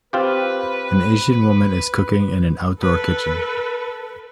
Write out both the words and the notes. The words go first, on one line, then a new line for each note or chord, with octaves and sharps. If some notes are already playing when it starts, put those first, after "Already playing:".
An Asian woman is cooking in an outdoor kitchen.
C4 F4 G4 B4
A4 B4